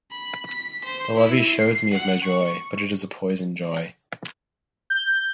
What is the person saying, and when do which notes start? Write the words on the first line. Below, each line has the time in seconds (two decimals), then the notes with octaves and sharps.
The love he shows me is my joy, but it is a poisoned joy.
0.11 B5
0.47 B6
0.85 C5
1.16 E4
1.50 C7
1.94 F#5
2.24 C#6
4.90 G6